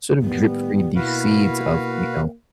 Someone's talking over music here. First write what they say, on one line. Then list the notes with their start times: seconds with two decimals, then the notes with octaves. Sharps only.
sort of drip-feed these seeds of, you know,
0.22 A2 D#3 G3 A#3 B3
0.96 B2 A#3 E4 F#4 B4 F5